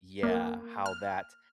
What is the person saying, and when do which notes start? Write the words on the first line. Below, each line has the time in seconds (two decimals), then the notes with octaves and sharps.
yeah, how that
0.23 A#3
0.86 F6